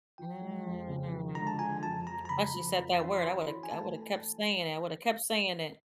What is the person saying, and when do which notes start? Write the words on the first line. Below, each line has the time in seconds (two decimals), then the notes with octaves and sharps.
Mm. Plus you said that word, I woulda k I woulda kept saying it. I woulda kept saying it
0.18 F3 G5
0.42 G#3
0.65 F2
0.89 C#3
1.12 F3
1.35 G#3 A#5
1.47 A5
1.59 F3 G#5
1.83 F2 A5
2.07 F2 A#5
2.25 A#5
2.29 C#3 B5
2.53 F3
2.77 F2
3.00 C#4 C6
3.24 F#4 B5
3.47 E3 B5
3.63 G#5
3.71 A3 A5